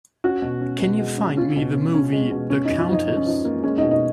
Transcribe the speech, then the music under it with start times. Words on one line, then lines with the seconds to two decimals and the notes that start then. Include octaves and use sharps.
Can you find me the movie The Countess?
0.24 C#4 F#4
0.42 B2
0.61 C#4
0.80 B2
0.99 G#3
1.18 C#4
1.37 C#4 F4
1.56 B2
1.75 C#4
1.94 C#4
2.12 G#3
2.31 B2
2.50 C#4
2.65 F#2 D#4
2.79 F4
2.89 F3 D#4
3.06 F3 D#4
3.17 C#4
3.26 F3 D#4
3.45 A#3
3.63 G#3 C#4
3.78 B2 D#4
3.91 D#4